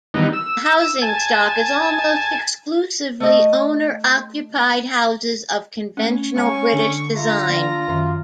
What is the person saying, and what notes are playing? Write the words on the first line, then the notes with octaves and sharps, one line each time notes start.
The housing stock is almost exclusively owner-occupied houses of conventional British design.
D#3 E3 G3 B3 D#4
E6
G#5 A5
A3 D#5
A3 C#4
G#3 C#4 F#5 G#5 A5 C#6
D3
F4 E5 A#5
A#3 D5
F#2 D#3 E5